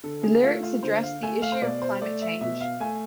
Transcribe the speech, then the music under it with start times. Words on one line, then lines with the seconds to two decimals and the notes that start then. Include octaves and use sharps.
The lyrics address the issue of climate change.
0.04 D3 A4
0.23 G#4
0.44 A3 F4
0.63 F4
0.83 D3 C5
1.03 F5
1.22 A3 G#5
1.42 F5
1.52 C5
1.62 B2 D5
1.82 C5
2.01 A3 D5
2.22 E5
2.41 B2 E5
2.61 F5
2.80 A3 G#5